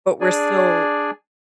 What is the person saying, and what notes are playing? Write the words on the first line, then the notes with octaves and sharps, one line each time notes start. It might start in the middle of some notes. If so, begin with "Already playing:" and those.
But we're still
D4 G#4 D5 G#5